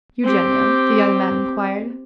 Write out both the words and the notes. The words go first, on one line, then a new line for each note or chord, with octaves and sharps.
"Eugenio?" the young man inquired.
C4 G4